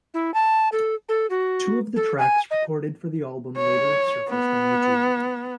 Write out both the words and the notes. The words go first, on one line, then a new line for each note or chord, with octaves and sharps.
Two of the tracks recorded for the album later surfaced on YouTube.
E4
A5
A4
A4
F#4
A4
G#5
D#5
C#5
B3